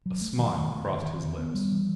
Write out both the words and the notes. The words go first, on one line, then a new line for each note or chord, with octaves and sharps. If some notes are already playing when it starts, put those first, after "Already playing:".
A smile crossed his lips.
F#3
A3
D#3
A3
D#3
D#3
D#3
D#3
B3
G3
E3